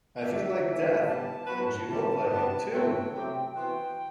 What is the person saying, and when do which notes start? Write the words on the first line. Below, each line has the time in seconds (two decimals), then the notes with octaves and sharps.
I feel like death! And she looked like it, too!
0.22 D3 F#3 A3 D4 F#4 E5
0.64 E3 A3 D4
1.06 A2 E3 G3 B3 A5
1.47 F#3 B3 F#4 B4
1.89 A2 E3 G3 A5
2.31 C3 G3 B3
2.72 A2 F#3 A3 C4 F#4 G5
3.14 C3 F#3 A3 C4 G4
3.56 E3 B3 F#4 C5 G5